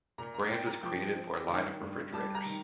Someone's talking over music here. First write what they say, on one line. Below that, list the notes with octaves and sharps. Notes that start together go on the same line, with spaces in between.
The brand was created for a line of refrigerators.
A#2 A#5
A#5
A#2 G5
A#5
F3 G5
C4
D#3
G2
G3 A5
A#5
D#3